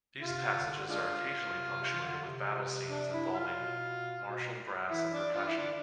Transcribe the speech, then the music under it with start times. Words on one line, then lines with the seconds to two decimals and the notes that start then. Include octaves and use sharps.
These passages are occasionally punctuated with "battle scenes" involving martial brass and percussion.
0.23 C3 F4
0.57 D3
0.90 G#3 D4 F4
1.57 C3
1.80 C3
1.95 E3
2.02 D3
2.24 C3
2.91 D4
3.14 E4
3.35 F4
3.58 B2
4.24 B2
4.91 E3 E4
5.13 D4
5.35 F4
5.48 E4
5.58 D3 D4